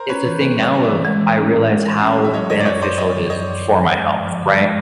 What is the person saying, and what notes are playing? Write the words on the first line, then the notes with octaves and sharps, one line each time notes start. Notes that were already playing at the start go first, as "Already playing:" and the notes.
it's a thing now of, I realize how beneficial it is for my health, right?
Already playing: A#4 C5
C#4 B4 C#5
E3
A#3 B4 C#5
G3
C#5 D#5
C#4
D5 E5
E3
G#3
E3
C#4
A2
G#3
E3
C#4
A2
E5
F#3 C#5 D#5
D3 C#5 D#5
D5
F#2 C#5 D#5
F#2 C5 D5
F#3 C#5 D#5
D3
F#2 C#5 D#5
F#2
F3
D3
G#3
G2
F3
D3
G#3